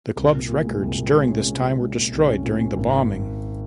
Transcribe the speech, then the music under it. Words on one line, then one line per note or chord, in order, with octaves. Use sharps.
The club's records during this time were destroyed during the bombing.
C2
A#2
A#2
G#3
C2
A#2
G#3
C#4
G#3
C#4
G#3
A#2
C2
C#4
A#2
C#4
G#1